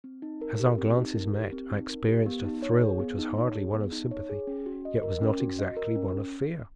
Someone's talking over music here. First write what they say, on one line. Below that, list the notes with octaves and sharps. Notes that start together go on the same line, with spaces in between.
As our glances met I experienced a thrill which was hardly one of sympathy, yet was not exactly one of fear.
C4
D#4
A#4
G4
C4
D#4
A#4
G4
C4
D#4
A#4
G4
B3
D#4
C#5
G#4
B3
D#4
C#5
G#4
B3
D#4
C#5
G#4
C#4
F#4
D#5
A#4
C#4
F#4
D#5
A#4
C#4